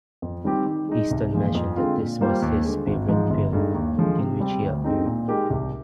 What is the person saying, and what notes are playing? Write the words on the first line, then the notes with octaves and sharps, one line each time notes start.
Heston mentioned that this was his favorite film in which he appeared.
F2
D#3 G3 C4 G4
D#3
G#3 D#4
C2
A#2 F3 G#3
F2
D3 G#3 C4 F4
A#2
G3 A#3 F4 C5
D#2
D3 G#3
G#1
G#2 F3 G#3
G1
G2 D3 G#3 D#4
D#2
D3 F3 G#3
C3
G3 C4
D2
D3 G#3 C4 D#4
A#2
G#3 D#4 G4 A#4
C2